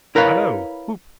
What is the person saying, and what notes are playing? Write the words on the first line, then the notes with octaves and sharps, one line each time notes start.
Hallo! Whoop!
E4 A#4 B4 C#5 F5